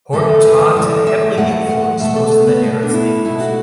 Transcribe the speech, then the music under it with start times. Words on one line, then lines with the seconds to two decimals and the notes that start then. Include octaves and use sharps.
Horton taught and heavily influenced most of the era's leaders.
0.13 F#2 E3 A3 A4
0.45 B4
0.76 F#2 E3 A3 D5
1.07 E5
1.38 F#2 E3 A3 F#5
1.69 F#5
2.00 B2 A3 E5
2.16 A4
2.31 B3
2.47 B3
2.63 B2 A3
2.83 D4
2.94 E4
3.25 B2 A3 E4
3.40 F#4